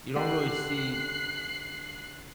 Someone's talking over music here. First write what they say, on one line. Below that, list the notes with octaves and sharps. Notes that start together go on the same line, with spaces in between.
you don't really see
D3 G4 F#6 C7